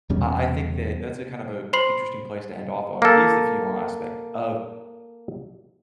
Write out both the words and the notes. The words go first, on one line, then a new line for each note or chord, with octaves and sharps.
I- I think that that's a kind of a interesting place to end off on, is the funeral aspect of
E2 B2 G3 C#4
C5 B5 C6 C7 F#7
A#3 A4